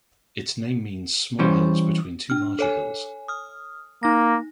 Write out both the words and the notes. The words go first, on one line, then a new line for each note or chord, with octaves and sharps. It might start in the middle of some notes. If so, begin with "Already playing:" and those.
Its name means "small hill between two larger hills".
E3 G3 C#4 C5
D4 F6
A4 C#5 G#5
D#6 F6
A#3 D#4 A#6